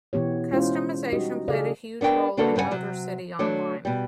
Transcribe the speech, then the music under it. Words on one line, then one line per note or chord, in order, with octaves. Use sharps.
Customization played a huge role in Motor City Online.
B2 E3 B3 G4 C#5
G#3 C#4 E4 F4 G#4 C5
G3 D#4 F#4 G4 D#5
C#3 G#4 A4 D5 D#5 F5
B3 D4 A#4 G5
D3 A#3 D4 F#4 A4 B4
G2 C#3 B4 F#5 G#5
C3 F#3
F#3 A3 D4
B2 G3